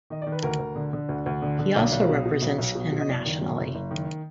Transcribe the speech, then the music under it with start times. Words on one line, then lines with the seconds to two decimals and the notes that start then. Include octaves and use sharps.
He also represents internationally.
0.10 D#3 D#5
0.22 D#3 D5
0.32 B4
0.43 D2 A#4
0.59 D2
0.76 D3
0.93 D3
1.09 D2
1.26 D2
1.42 D3
1.59 D3
1.76 B1 D5
1.92 B1
2.09 B2
2.25 B2
2.42 B1
2.58 B1
2.75 B2
2.92 B2
3.00 D#5
3.08 F#1 D5
3.25 D#3
3.41 F#2
3.58 F#1
3.75 F#1
3.91 D#3